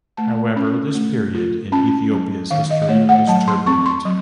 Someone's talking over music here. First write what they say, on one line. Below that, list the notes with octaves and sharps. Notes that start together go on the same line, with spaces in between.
However, this period in Ethiopia's history was turbulent.
A3 A5
C#4
A3
F4
C#4 A5
F#3
D#3 F5
D#5
D#5
A3 C#5
F#5
F#3 A5
C6
C4 C#6
C6
F#3